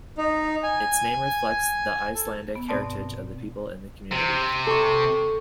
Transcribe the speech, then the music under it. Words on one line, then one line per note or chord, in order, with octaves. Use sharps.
Its name reflects the Icelandic heritage of the people in the community.
D#4
G#5
A4
B3
G2 B2 C4 D5 A5
C3
A4 C#6